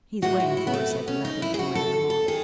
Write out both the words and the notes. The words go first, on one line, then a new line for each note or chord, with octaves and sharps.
"He's waiting for us at the laboratory," I remarked.
A2 E3 G#3 F#4
E4
E4
B3
A3
B3
C#4
G#2 F#3 D#4
E4
G#4
F#4
A4
A4
D#3 G#4